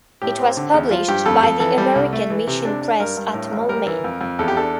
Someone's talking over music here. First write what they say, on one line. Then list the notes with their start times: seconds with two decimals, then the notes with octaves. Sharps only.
It was published by the American Mission Press at Moulmein.
0.22 A2 G4
0.39 C4
0.57 D3
0.74 E2
0.91 F3 F4
1.08 G2 G4
1.26 F2 A4
1.43 F2 A4
1.60 E3 A4
1.78 G3
1.95 C2
2.13 A3
2.30 E3
2.47 C3
2.65 D4
2.82 D4
3.00 G2 A#4
3.17 G2
3.34 A2
3.51 A1
3.69 G3 A#4
3.87 E3
4.04 F2
4.21 F2
4.39 E2 A4
4.48 G4
4.56 D4 A4